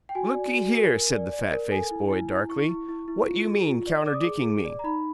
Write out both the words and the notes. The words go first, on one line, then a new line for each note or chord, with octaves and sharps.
"Looky here," said the fat-faced boy, darkly, "what you mean, counterdicking me?"
G5
F#4 G#5
D5
F#4
A#4
A#4
D5
D5
A#4
A4 G#5
E4
E4
E4
E4 C#6
E4
E4
E4
F4
G#4
F4
D5
D5 D6
D#6
G#4 D6
G#4
D5
A#5
D#4 B5